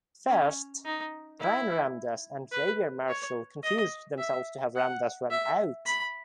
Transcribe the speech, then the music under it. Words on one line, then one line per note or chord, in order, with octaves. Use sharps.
First, Ryan Ramdass and Xavier Marshall confused themselves to have Ramdass run out.
C#4
D#4
E4
B4
C#5
D#5
E5
F#5
E5
B5